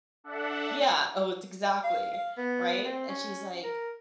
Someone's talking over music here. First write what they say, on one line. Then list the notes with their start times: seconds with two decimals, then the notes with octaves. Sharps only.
Yeah, oh, it's exactly, right? And she's, like
0.24 D4 A4 E5 F#5
1.84 F5
2.13 F5
2.37 B3
2.84 C4
3.09 C#4
3.64 A#4